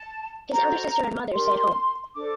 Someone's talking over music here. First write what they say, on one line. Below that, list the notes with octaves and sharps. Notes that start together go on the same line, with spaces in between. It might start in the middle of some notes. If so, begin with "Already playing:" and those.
His elder sister and mother stay at home.
Already playing: A5
F#4 A4 C5 A#5
D4 G4 A#4 C6
D4 A4 C5 D6